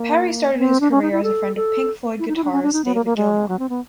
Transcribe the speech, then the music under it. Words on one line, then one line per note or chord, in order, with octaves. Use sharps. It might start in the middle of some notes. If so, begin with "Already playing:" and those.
Parry started his career as a friend of Pink Floyd guitarist David Gilmour.
Already playing: A#3
B3
C4
D4
C#4
D#4
E4
A4
A4
E4
D#4
E4
D4
C#4
D4
D#4
B3
A#3
A#3
G#3
F#3
C4
B3